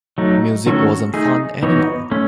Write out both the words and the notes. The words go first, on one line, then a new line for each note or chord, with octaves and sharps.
Music wasn't fun any more.
F#3 A3 D#4
D#3 A3 C#4 F#4 A4
A3 D#4 G#4
E3 B3 D#4 F#4 C#5
A3 C#4